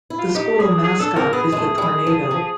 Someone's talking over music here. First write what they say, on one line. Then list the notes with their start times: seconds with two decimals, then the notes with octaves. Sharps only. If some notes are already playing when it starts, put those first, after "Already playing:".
The school mascot is the Tornado.
0.10 E4
0.19 F4
0.35 D#4 G4
0.59 C#4 G#4
0.84 G#4
1.00 D4 A4
1.16 C4 A#4
1.33 B3 G#4
1.52 G#3
1.57 A3
1.78 G3
1.82 G#3
2.07 F3
2.31 F3